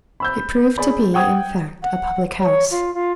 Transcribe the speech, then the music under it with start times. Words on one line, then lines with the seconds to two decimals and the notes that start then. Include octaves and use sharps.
It proved to be, in fact, a public house.
0.20 B5 E6 G6
0.78 G#4 D5 B5
1.14 F#5 G5 D#6 G#6
1.83 F#5
2.40 C#5
2.71 F4
2.94 F4